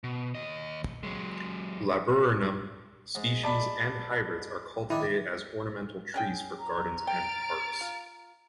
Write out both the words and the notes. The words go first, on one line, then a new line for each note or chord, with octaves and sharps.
"Laburnum" species and hybrids are cultivated as ornamental trees for gardens and parks.
B2
D#2 D#5
F#3 G#3
G#2
D5 A5 B5
D#3 D4 E4
C#4 G#4 G5
A#5
G5 F6 A6 D7
F4